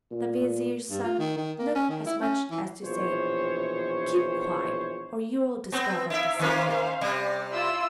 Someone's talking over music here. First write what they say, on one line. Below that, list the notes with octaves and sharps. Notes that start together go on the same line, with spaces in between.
The vizier's son looked as much as to say, "Keep quiet, or you'll discover the secret."
A#2
G2
F4
D#3
D#3
A#3
C#4
D#3
E4
C#4
E3
A#1 B2 E3 C5 C#5
B3 C4
D#4 E4 E5 F5
D#3 A#3 C#4 C5 F5
C3 G3
E4 F4 E6